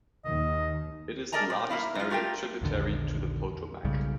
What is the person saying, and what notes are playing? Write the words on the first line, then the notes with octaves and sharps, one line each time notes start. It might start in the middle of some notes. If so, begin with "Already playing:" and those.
It is the largest Maryland tributary to the Potomac.
D#2 D#3 D#5
G#4 A#4 D5 D#5 A5 A#5
A#2
A#3 B3 E4 F5
F#2 F4
A3 F4 G4 A#4 G5
A#1 E2 D3 D#3
B1 G#2 C#3 G3